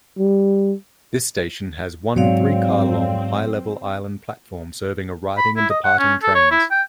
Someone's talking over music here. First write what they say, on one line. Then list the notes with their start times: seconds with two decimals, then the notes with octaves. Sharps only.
This station has one three-car-long high-level island platform serving arriving and departing trains.
0.18 G3
2.16 G#2 F#3 C4 C#5 D5 F5
5.38 B5
5.57 E4
5.70 D#5
5.84 F#5
5.99 C#4
6.23 A4
6.35 C#5
6.51 E4
6.71 G5